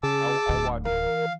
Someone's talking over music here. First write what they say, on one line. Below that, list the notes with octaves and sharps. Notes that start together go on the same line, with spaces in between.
I'll I'll watch
C#3 G#4 A5 D6 E6
D1 A2 D3
E3 A#4 F5